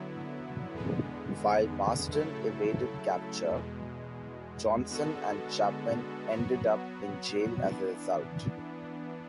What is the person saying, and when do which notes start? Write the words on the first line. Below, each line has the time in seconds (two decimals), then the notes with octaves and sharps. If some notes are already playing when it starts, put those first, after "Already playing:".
While Marston evaded capture, Jonson and Chapman ended up in jail as a result.
Already playing: D3 F#3 B3 E4
0.74 E2 D3 G#3 B3
2.12 C#3 F#3 A3 E4 A4
3.50 E2 B2 G#3
4.90 D3 G#3 B3 F#4 A4
6.27 F#3 B3 F#4
7.66 E3 B3 D4